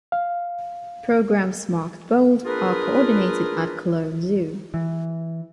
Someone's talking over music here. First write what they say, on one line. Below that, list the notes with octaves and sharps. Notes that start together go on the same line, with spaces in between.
Programmes marked bold are coordinated at Cologne Zoo.
F5
D4 F4 G#4 A#4 B4
E3